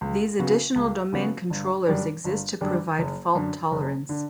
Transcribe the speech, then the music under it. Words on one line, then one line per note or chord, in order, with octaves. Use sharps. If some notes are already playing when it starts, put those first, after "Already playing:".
These additional domain controllers exist to provide fault tolerance.
C#2
C#3 F#3 B3 F#4
C#2
C#3 F#3 B3 F#4
G1
F#2 D3 G3 D4
G1
F#2 D3 G3 D4
F#1
F#2 D3
F#1
D3